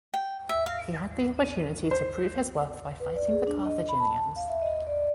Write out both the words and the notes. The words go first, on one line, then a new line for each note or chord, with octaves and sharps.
He had the opportunity to prove his worth by fighting the Carthaginians.
G5
E5
F5
C5
B4
D5
G#4
D4
D#5
B5
A5
F5
E5
D#5
D5